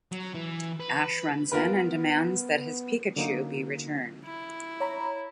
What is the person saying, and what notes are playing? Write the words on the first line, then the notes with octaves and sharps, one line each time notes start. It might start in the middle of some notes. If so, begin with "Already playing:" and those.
Ash runs in and demands that his Pikachu be returned.
F#3
E3
B4
B3 F4 A#4 B4
D3 F#3 A#3 C#4 D#4
E4
C#5 A#5 B5